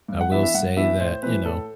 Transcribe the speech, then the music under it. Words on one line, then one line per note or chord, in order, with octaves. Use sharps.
I will say that, you know
G2
F#5
E3 B3 D4 E5
E5
G2 F#5
E3 B3 D4 E5
A2 C5
E3 A3 C4 B4
A2 A4